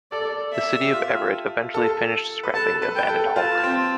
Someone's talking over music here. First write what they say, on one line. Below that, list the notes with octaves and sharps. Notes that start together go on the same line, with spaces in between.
The city of Everett eventually finished scrapping the abandoned hulk.
A4 D5
E5
G4
F4
A4
B4
A4 A5
B4
G5
A4
F4 A5
C4